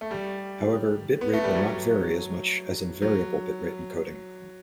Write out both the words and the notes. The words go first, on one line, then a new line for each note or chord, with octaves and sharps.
However, bitrate will not vary as much as in variable bitrate encoding.
A3
G3
B3
A3
G3
F#3
F#3